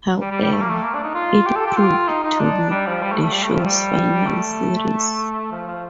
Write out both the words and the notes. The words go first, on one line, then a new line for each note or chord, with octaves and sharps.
However, it proved to be the show's final series.
G3
G3
G3
A3
A#3
A3
A#3
D4
D#4
F4
G4
A4
G4
F4
D#4
D#4
D4
G3
F3
G3
A3
A3
G3
A3
F3
G3
A3
F3
F3